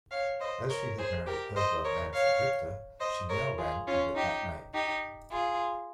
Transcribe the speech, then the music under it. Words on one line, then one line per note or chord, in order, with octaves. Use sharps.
As she had married hurdler Manfred Richter, she now ran under that name.
C#5 F5
C5 D#5
A#4 C#5
G#4 C5
G4 A#4
C5 D#5
A#4 C#5
C#5 F5
C5 D#5
A#4 C#5
F4 G#4
C#4 F4
D#4 G4
D#4 G4
F4 G#4